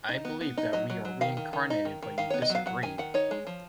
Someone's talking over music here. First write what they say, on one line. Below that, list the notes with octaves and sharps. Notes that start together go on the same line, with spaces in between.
I believe that we are reincarnated but you disagree.
D#4
B3
B3
D#4
F#3 D#5
F#3
F#3
D#3 F5
D#3
D#3
D#4
D#3
D#3
D#3 F5
B3 C#5
D#5
F#3
F5
F#3 F#5
D#3 G#5
D#3 F#5
D#4 C#5
G#3
F3